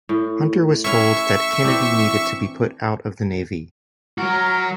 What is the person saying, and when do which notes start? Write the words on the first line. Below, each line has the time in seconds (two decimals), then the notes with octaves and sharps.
Hunter was told that Kennedy needed to be put out of the Navy.
0.09 A2
0.84 C#4 E4 E5 C#6
1.63 E3 C4 D4
4.18 F#3 F#4 A#4